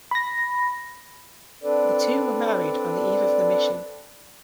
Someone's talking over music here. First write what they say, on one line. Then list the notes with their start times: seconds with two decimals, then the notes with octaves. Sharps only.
The two were married on the eve of the mission.
0.11 B5 A#6
1.63 C4 D4 A4 B4 D5